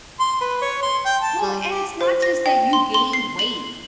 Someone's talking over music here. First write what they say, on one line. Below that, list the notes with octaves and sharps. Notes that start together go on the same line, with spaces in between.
Well, and it's not just that you gained weight.
C6
B4
C#5
C6
G5
A5
G3
G4
C5
A#6
G5
C6
C6
C7
F#7